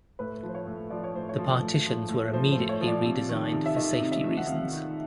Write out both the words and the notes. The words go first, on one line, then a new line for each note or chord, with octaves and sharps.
The partitions were immediately re-designed for safety reasons.
A2 B4
F3
C5
C#5
A2
F3 D5
C#5
A2 C5
C#5
F3
A2
F3
A2
F3 C5
C5
A2
C#5
F3
D5
C3
D#3
C3
E5
D#3 D#5
C3
E5
D#3
F#5
C3 F5
D#3